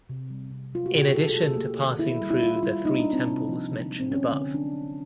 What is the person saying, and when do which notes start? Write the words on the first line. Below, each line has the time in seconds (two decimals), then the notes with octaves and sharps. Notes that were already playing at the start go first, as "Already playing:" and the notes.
In addition to passing through the three temples mentioned above.
0.09 C3
0.30 G3
0.51 C3
0.73 F#3 F4
0.86 F#4
0.94 B2 G4
1.04 G#4
1.14 F#3 A4
1.29 A4
1.36 A3
1.43 G#4
1.57 A#3 G4
1.78 D#3
1.99 A#3 E4
2.21 G3
2.31 E4
2.42 G3 F4
2.63 G3 E4
2.84 A#3 D#4
2.99 D4
3.06 A#3
3.13 C4
3.27 C3
3.49 F3
3.69 C3
3.90 G#3
4.00 C4
4.11 D3 C#4
4.33 D3
4.54 F#3 D4